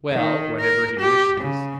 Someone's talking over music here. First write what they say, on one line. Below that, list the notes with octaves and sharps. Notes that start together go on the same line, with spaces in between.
"Well, whenever he wishes?"
D#3
A#4
G4
C#3